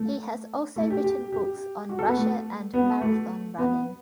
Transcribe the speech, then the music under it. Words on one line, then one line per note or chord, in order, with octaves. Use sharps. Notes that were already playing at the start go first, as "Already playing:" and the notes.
He has also written books on Russia and marathon running.
Already playing: A3
A3
G4
G4
G4
F#4
A4
B3
A3
B3
A3
B3